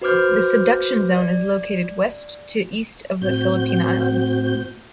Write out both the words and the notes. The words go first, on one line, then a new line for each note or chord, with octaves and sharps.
The subduction zone is located west to east of the Philippine Islands.
F#4 B4 C5 D6 F6 G6
D5
A2 C4 F#4 G6